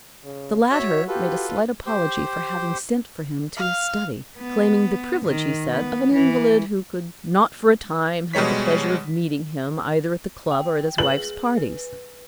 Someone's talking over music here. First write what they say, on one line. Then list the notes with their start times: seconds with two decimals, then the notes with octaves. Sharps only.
The latter made a slight apology for having sent for him to his study--claiming the privilege, he said, of an invalid, who could not for a time have the pleasure of meeting him either at the club or at his wife's parties.
0.24 C#3
0.72 F#4 C#5 E5
1.08 F4 G4 A4 B4
1.86 G4 C5
3.56 F5
4.39 B3
5.27 D#3
5.72 B3
6.15 E3
8.33 B2 G3 G#3 C#5 B6
10.51 G5
10.98 G#4 B4 F#7
11.57 B4